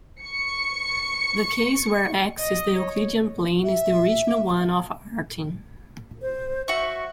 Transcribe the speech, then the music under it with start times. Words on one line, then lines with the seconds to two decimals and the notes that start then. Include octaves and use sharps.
The case where "X" is the Euclidean plane is the original one of Artin.
0.21 C#6 C#7
2.39 D#5
2.79 C#5
3.64 E5
6.22 C5
6.68 F#4 E5 C#6